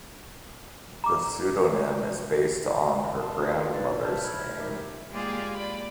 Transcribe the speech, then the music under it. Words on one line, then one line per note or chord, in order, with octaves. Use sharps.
The pseudonym is based on her grandmother's name.
A#5 D6
A5 C6
D4 D#4 F4 G4 G#4 B4
D4 D#4 B4 D5
A4 C5 E5 A5 F6 G6
B5 E6 F6 G#6
D#4 G4 A#4 E5
G#3 A#3 F4 G4 G#4 D5
D5 B5